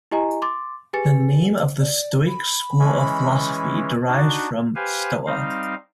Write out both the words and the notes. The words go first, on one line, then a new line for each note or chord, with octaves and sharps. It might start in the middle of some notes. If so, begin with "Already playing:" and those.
The name of the Stoic school of philosophy derives from "stoa".
E4 G4 D#5 G#5 A#5
C6 D6 A6
G4 G#4 B4 G#5 A6 C#7
D5
B5
E3 G#3 C#4
D4 D#4 F#4
G4 B4 C5 F5 G#5
G3 C4 D#4 F5